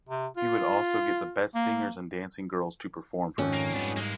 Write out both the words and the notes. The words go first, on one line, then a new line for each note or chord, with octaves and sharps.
He would also get the best singers and dancing girls to perform for him.
C3
F4
A#3
F2 G#2 D#3 C#4
A#3
G#2 G3 B3 D4 D#4
G#3 A#3